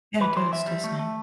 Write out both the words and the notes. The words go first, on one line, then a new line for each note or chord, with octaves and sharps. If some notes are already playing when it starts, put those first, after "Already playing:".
Yeah, it does, doesn't it?
E3 B4
E3 C5
E2 E5
G3
A3
A3